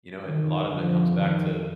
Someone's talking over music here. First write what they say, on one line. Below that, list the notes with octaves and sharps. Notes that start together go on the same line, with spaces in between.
You know, a lot of it comes back to
F2 C3 D#3
D3 F3
D#3